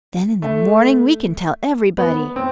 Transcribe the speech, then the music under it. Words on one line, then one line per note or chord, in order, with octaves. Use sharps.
"Then in the morning we can tell everybody."
A3
B3
C4